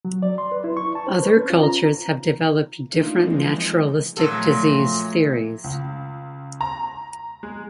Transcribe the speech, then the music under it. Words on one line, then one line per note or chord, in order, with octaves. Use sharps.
Other cultures have developed different naturalistic disease theories.
F#3
D5
C6
B4
E4
C#6
A5
C5
B4
C#4
F4
A#5
A3 A#3 D4 D#4 F4
E3 F3 G#3 C4 D#4
A#2 F3 F#3 A3 A4
C#2
A#5
G#3